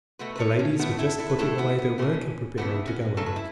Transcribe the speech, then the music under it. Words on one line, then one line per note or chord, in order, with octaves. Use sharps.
The ladies were just putting away their work and preparing to go out.
B2 A3 F#4 B4
B4
A4 C#5
C#4
A2 A3 B3
E4 A4
E4 A4
B4
A2 A3 E4 A4
B3 E4
B3
C#3 E3 A3 C#4
C#3 E3 A3 B3 E4
C#4 F#4
C#3 F#3 A3 A4
B4
E4